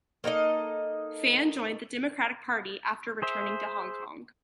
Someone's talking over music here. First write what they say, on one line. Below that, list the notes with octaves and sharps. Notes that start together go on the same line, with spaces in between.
Fan joined the Democratic Party after returning to Hong Kong.
A#3 D#4 A4 D#5
G#4 C5 E5